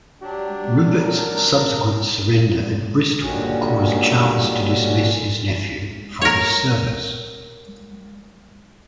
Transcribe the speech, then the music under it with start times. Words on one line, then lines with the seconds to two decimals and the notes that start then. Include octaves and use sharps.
Rupert's subsequent surrender at Bristol caused Charles to dismiss his nephew from his service.
0.22 F#3 D4 G4
1.00 A#4
3.21 G2 A#2 D3 D#3 C#4 F#4
6.21 A#4 C#5